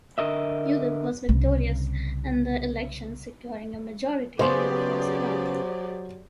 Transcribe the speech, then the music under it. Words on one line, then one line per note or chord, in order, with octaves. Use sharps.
Uribe was victorious in the elections, securing a majority in the first round.
D3 A#4 D#5 E5
C2 C#3
C#3 F#3 B3 G4 G#4 C5 D5 C6